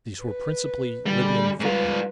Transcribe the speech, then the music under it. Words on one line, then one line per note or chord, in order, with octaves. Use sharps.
These were principally Libyan footmen.
B4
D3 G3 G#3
G#2 G3 F4 B4